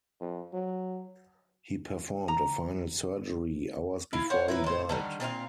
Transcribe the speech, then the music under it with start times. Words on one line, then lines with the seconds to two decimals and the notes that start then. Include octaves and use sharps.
He performed a final surgery hours before he died.
0.21 F2
0.53 F#3
2.28 A#5
4.13 E4 F5
4.30 C5 C#5 F#5
4.48 E4 A#4 B4
4.64 A2 C5
4.89 D3 D#3 G3
5.20 A#2 C4 F4 F5